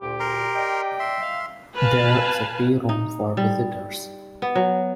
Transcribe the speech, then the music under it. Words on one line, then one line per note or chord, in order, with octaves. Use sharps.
There is a tea room for visitors.
D2 A#2 G4
A#4 A#5 C6
D5 D#5 G5
E5 C6
F5
B4 F5 G#5 A5
D#4
G3
B3
F#3